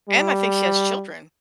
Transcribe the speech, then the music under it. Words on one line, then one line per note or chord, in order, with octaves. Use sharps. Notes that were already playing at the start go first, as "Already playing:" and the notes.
And I think she has children.
G3